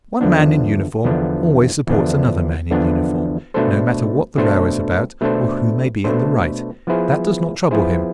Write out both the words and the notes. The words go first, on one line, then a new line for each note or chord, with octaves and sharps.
One man in uniform always supports another man in uniform, no matter what the row is about, or who may be in the right--that does not trouble him.
E2 D3 F3 B3 D4
E2 D3 F3 B3 D4
E2 D3 F3 B3 D4
E2 D3 F3 B3 D4
B2 A3 D4 A4 C5
B2 A3 D4 A4 C5
B2 A3 D4 A4 C5
B2 A3 D4 A4 C5
F3 B3 E4 G#4 C5
F3 B3 E4 G#4 C5